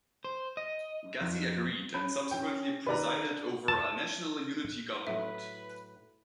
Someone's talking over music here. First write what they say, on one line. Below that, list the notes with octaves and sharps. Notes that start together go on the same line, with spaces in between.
Ghazzi agreed and subsequently presided over a national unity government.
C5
D#5
F2
C#4 B5
G5
D#3 B4 D5 A#5
D4
A5
A2 F#3 B4 E5